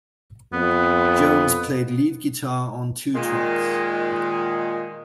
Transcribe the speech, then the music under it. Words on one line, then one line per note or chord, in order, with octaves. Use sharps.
Jones played lead guitar on two tracks.
F2 B3
A#2 D#3 G#3